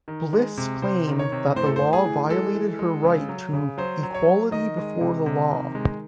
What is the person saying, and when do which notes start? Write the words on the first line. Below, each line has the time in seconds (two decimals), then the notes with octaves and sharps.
Bliss claimed that the law violated her right to "equality before the law".
0.08 D#3
0.33 G#3
0.58 C3
0.82 C3 C5
1.07 D#3
1.19 C#5
1.32 C3
1.56 A2 C5
1.66 A4
1.76 A2 C5
1.93 G#4
2.06 E3
2.29 G#3 A4
2.55 E3
2.79 G#3
3.04 C#3
3.29 F#3
3.53 C#3
3.78 F#3 C5
4.03 F#3
4.15 C#5
4.27 F#3
4.51 D#3 D#5
4.77 G#3
5.01 C3
5.26 C3
5.50 D#3
5.75 G#3